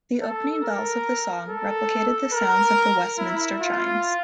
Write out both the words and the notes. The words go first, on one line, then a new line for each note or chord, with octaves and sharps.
The opening bells of the song replicated the sound of the Westminster chimes.
A4
A#4
A4
A#4
E4
F4